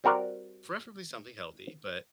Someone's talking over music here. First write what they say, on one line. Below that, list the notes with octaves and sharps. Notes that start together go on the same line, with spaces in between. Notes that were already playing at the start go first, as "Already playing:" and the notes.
preferably something healthy, but
G3 C4 F#4 A#4 D5 F#5